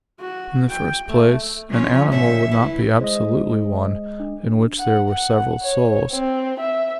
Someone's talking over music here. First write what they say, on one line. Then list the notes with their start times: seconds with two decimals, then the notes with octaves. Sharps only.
In the first place, an animal would not be absolutely one, in which there were several souls.
0.20 F#4
0.70 G5
1.08 A3
1.69 F3 C#4
2.12 A2 D3 D#3 E5
2.51 E3
3.01 G#3 C5 D#5
4.20 D4
4.79 F#5
5.09 F#5
5.63 C#5
6.13 C4
6.60 E5